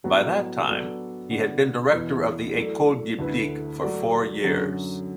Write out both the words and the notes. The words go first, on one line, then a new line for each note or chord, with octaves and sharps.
By that time he had been director of the Ecole Biblique for four years.
A2 F#3 B3 F#4
F#3 B3 D4 A4 D5
D3 B3 F#4 D5
E2 B2 B3 E4 B4
F#3 A3 E4 A4 D5
D2 D3 A3 E4 B4
F#3 A3 F#4 D5
F#2 D3 F#3